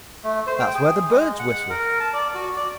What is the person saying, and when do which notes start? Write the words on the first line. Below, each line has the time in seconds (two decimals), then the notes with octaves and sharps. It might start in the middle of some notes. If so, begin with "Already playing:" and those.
That's where birds whistle.
0.24 A3
0.47 C5
0.60 G5
0.75 G#4
1.09 G#3
1.39 F#5
1.70 A#4
2.00 A5
2.13 D5
2.34 F#4
2.57 D5